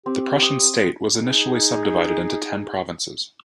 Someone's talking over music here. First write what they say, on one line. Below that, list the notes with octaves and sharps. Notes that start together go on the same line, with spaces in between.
The Prussian state was initially subdivided into ten provinces.
C4 G4
D#6
D#4 G#4